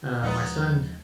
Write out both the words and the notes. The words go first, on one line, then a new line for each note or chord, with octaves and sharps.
uh, my son
D#2 F3 G#3 B3 D#4